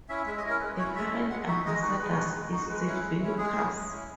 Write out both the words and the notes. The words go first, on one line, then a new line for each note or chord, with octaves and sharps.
The current ambassador is Sylvie Lucas.
C#4 E4 E5
G#3 E5
D#5
C#4 E4
A#4
G#3 B4
C#4 E4 C#5
G#3 E5
C#4 E4
G#3 F#5
D#4 F#4 E5
G#3 D#5
D#4 F#4 B4
G#3 B4
D#4 F#4
G#3
D#4 F#4
G#3 B4
C#4 E4
G#3
C#4 E4
G#3 G#4
C#4 E4
G#3
C#4 E4